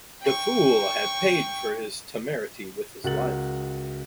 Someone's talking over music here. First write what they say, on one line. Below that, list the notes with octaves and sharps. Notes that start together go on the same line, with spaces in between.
The fool had paid for his temerity with his life.
G5 C#6
C#2 F#4 A#4 F#5 A6 F#7